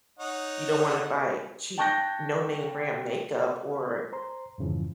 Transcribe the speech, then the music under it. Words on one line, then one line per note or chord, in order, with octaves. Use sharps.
you don't want to buy cheap, no name brand makeup or
D#4 C#5 F#5
G5 A5 C#6 F#6 G6 A#6
C5 A#5 C6
F2 G#2 C#3 E3 F3